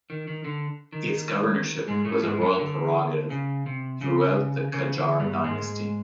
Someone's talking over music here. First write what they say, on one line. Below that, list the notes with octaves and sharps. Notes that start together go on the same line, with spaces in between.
Its governorship was a royal prerogative throughout the Qajar dynasty.
D#3
D#3
D3
D#3
G#2 G#3
A2 A3
G#2 G#3
F#2 F#3
D3
C#3
C3
C#3
C#3
D3
G2 G3
G#2 G#3